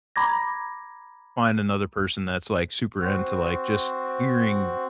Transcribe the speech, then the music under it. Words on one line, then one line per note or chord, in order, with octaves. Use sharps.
find another person that's like super into like just hearing,
A#5 B5 D6 G#6 A#6
C4 F#4